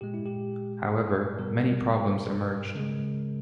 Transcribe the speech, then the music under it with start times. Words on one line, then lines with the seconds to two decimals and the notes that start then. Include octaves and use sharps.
However, many problems emerged.
0.01 A#2 G#3 G4
0.14 E4
0.26 G4
1.39 B2 G3 A#4
2.75 C#3 G#3